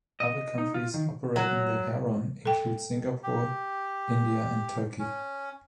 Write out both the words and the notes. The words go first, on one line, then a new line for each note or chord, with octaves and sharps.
Other countries operating the Heron include Singapore, India and Turkey.
D#5
D#4
F4
D#3
F#3
A4 G5
G4
C#4